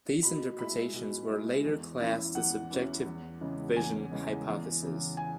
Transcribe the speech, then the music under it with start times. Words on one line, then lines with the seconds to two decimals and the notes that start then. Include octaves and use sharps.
These interpretations were later classed the subjective vision hypothesis.
0.23 B2 B5
0.59 G#3 E4 B5
0.94 B2
1.29 G#3 E4
1.65 E2
2.00 E3 C#4 E4
2.35 E2 F#5
2.70 E3 C#4 E4
3.06 E2
3.41 C#3 E3 G#3
3.76 E2 G#5
4.12 C#3 E3 G#3
4.47 E2
4.82 C#3 E3
5.17 G#5